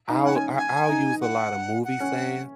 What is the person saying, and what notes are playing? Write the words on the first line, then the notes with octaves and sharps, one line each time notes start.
I'll I I'll use a lot of movie sayings
D#4
C#4 F#5
G#5
G#5
D#4
F#5
F#5
C#4